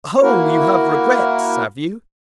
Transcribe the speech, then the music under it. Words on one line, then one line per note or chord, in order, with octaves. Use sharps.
"Oh, you have regrets, have you?"
A#3 E4 F#4 A#4